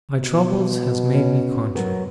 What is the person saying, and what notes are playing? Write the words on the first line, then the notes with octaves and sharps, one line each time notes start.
My troubles has made me contrary.
B2
C#4
F#3 B3 A#4